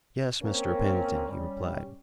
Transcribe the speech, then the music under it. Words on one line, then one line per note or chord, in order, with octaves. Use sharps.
"Yes, Mr. Pennington," he replied.
A#3 C4 C#4 A#4
G3 C#4